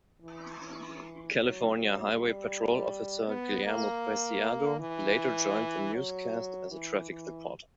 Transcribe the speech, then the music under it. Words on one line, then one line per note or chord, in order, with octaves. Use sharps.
California Highway Patrol officer Guillermo Preciado later joined the newscasts as a traffic reporter.
E3
E3
F#3
F#3
G3
B3
A#3
E3
F#3
E3
E3